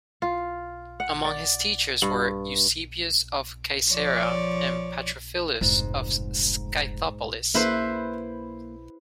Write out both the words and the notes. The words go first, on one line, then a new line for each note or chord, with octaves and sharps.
Among his teachers were Eusebius of Caesarea and Patrophilus of Scythopolis.
F4
F#5
D5
G2
F3 C#5 D5
F1 G#2
A#3 E4 B4 C5